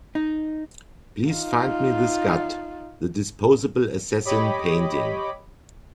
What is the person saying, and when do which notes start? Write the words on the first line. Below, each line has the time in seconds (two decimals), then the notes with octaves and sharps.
Please find me the Scud: The Disposable Assassin painting.
0.15 D#4
1.30 D#4 F4
4.25 G4 C#5 D#5 B5 D6